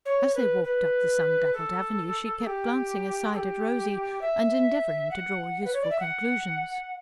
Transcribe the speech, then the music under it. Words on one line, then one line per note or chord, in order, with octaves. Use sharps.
As they walked up the sun-dappled avenue she kept glancing aside at Rosy, and endeavouring to draw useful conclusions.
C#5
B4
B4
A4
A4
G4
A4
G4
E5
F#5
B4
C#5
D5
E5
F#5